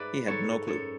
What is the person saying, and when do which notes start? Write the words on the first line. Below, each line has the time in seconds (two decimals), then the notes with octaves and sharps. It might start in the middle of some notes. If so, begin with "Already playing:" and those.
He had no clue.
Already playing: G#2 G#3 B4 D5 E5
0.27 G#2 A4 C#5
0.67 F#2 A4 C#5